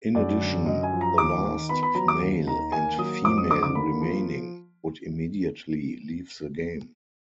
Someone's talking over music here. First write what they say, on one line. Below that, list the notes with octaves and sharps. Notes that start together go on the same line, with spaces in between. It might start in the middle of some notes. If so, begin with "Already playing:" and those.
In addition, the last male and female remaining would immediately leave the game.
F#2 D5
D3
F#2 D#5
G#5
F3
A#5
D#2 D6
D#3
B3 B5
B5
F#3 A#5
D6
D#2
D#3 A#5
A#3 G#5
F#3 D#6
F2 D6
D#6
D3 D6
D6
A#3 B5
F3